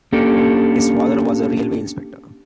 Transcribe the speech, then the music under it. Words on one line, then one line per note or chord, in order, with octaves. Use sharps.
His father was a railway inspector.
A#3 C#4 D4 G4 A4